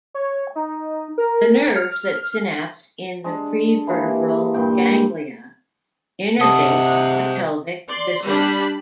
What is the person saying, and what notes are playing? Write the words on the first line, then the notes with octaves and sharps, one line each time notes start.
The nerves that synapse in the prevertebral ganglia innervate the pelvic viscera.
C#5
D#4
A#4
F6
G#3 D4
E3 G#3 A#3 G4
G2 A#2 A#3 G5
C3 C5 D#5 F#5 A5 D#6
D5 C6
G3 D4 B5